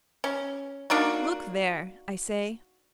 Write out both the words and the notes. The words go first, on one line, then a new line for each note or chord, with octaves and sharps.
"Look there!" I say.
C#4
A#3 D4 D#4 F#4